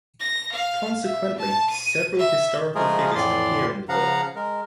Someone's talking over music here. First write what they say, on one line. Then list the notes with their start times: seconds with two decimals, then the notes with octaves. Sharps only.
Consequently, several historical figures appear in the book.
0.20 A#6
0.52 F5
1.05 E5
1.38 A5
1.69 D#7
2.19 E5
2.75 F3 G#3 A3 F4 G#4 A#4
3.15 F2 A2 E3 D5 C6
3.89 C#3 F3 F5 F#5 A#5
4.35 G#3 A#4